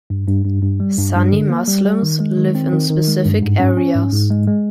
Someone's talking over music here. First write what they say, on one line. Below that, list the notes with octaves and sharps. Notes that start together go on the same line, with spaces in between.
Sunni Muslims live in specific areas.
G2
G2
G2
G2
G3
G2
G2
D3
A#3
G3
G3
D#3
G#3
D#3
C4
D#3
D#3
G#3
G2
G#2
C#4
C#4
G#2
G#2
G#3
G#3